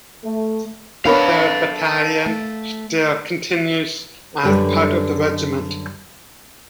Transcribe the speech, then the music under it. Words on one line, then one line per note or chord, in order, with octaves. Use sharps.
The third battalion still continues as part of the regiment.
A3
B3 D4 A4 A#4 C#5 F5 B5
A3
F#2 D3 G3 G4 B4